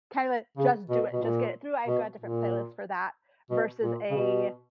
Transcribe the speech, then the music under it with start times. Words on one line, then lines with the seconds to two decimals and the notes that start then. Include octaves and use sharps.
kind of, eh, just do it, just get it through, I've got different playlist for that, versus a
0.57 C#3
0.90 B2
1.13 B2
1.22 A#2
1.88 B2
2.20 A#2
3.51 B2
3.83 A#2
4.10 C#3
4.16 B2